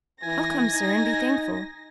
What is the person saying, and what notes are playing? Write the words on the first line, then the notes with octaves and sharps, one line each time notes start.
'I'll come, sir, and be thankful.
E3 G#5 A#6
D#4